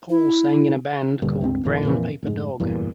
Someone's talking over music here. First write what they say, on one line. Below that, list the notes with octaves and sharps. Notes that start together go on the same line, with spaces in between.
Paul sang in a band called Brown Paper Dog.
E4
D#1 A#1 G2 D3
C#2 G2 A3 C4
A1 F2 A#2 D#3
F2 A#2 E3
F1 G#2
F#1 E2 G2 A#2